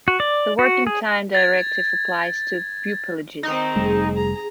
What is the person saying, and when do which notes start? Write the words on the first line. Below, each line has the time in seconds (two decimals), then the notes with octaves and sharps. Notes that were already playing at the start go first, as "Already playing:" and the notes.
The Working Time Directive applies to pupillages.
0.08 F#4
0.20 D5
0.59 F#4
0.87 G#4
1.35 G#6 A6
3.43 D#3 C4 D#4
3.76 F1 G3 A3 G#4
4.16 A#5